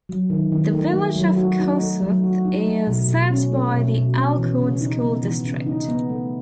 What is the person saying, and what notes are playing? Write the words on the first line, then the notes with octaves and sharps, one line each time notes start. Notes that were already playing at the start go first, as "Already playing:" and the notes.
The village of Kossuth is served by the Alcorn School District.
F#3
D#3
D#3
A3
A3
F#3
F#4
D#4
A3
F#3
F#4
D#4
A3
B2
B2
C#4
A3
B2
B2
C#4
E3
C#3
D#4
B3
E3
C#3
D#4
B3
A3